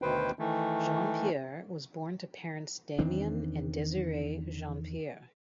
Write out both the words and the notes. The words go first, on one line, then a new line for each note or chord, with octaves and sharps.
Jeanpiere was born to parents Damion and Desiree Jeanpiere.
D2 B2 D#3 B4 C5 G5
D#3 E3 A3
E2 D#3 C4 D4